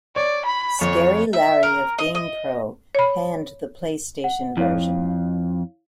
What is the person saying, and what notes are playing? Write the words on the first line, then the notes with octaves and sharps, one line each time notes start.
Scary Larry of "GamePro" panned the PlayStation version.
C#5 D5
B5
F2 C#5
E5
A#4
D#5
D#5
C#5 B5
F#5
F2 E4 C#5 F5